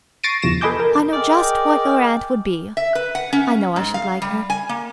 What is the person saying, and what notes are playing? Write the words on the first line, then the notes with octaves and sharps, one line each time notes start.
I know just what YOUR aunt would be; I know I should like her.
C#6 A6 A#6 C7 D7 D#7
G1 E2 B2 F3 A#6 E7
A4 B4 D#5 G#5 D6 G6
A#4
G#4 A#4 D5 D#5 G5
E5
B4
F#5
C#4
G#2
F5
G3
G#5
A#3